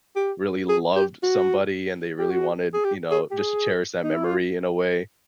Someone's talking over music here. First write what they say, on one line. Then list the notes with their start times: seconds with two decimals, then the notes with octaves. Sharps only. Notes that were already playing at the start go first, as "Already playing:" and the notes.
really loved somebody and they really wanted, you know, just to cherish that memory in a way,
0.15 G4
0.69 G#4
0.96 G4
1.23 F#4
2.19 G4
2.31 F#4
2.74 G#4
2.84 G4
3.11 G#4
3.31 G4
3.38 G#4
4.04 D#4
4.14 E4
4.24 F4